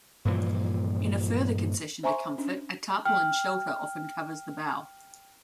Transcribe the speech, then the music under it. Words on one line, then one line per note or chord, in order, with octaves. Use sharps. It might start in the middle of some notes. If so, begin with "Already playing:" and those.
In a further concession to comfort, a tarpaulin shelter often covers the bow.
G2 A#2 E3 F3
C5 E5 G#5 A#5 C6 C#6
C#4 D4
G5 F6